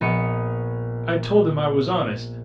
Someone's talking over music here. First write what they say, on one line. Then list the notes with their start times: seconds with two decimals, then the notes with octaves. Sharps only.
I told him I was honest.
0.01 A#1 B3 D#5 C#7